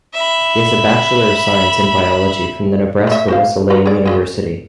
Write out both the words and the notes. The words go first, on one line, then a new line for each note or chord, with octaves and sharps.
He has a Bachelor of Science in Biology from the Nebraska Wesleyan University.
E5 B5
A3 E5
F#4 C5 F5
F#4 B4 A#5
G#4 D5
F#3 F#4 G#4